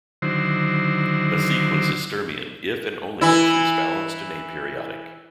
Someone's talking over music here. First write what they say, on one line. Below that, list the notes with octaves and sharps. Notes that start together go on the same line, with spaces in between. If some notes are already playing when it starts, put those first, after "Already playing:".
A sequence is Sturmian if and only if it is balanced and aperiodic.
D3 D#3 F#3 E4 C5
E3 E4